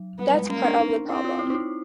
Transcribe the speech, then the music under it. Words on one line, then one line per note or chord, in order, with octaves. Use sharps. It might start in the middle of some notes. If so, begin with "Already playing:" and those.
That's part of the problem...
Already playing: F#3
G3 B3
G#3
A#3 C#4
D4
D#4
C4 E4
F4
E4
D#4
E4